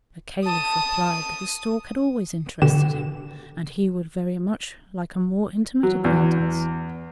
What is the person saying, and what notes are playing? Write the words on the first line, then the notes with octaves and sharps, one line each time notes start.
The Caliph replied that the stork had always interested him, and he would very much like a more intimate acquaintance.
A5 D#6
B2 D3 G4 E7
F#3
E2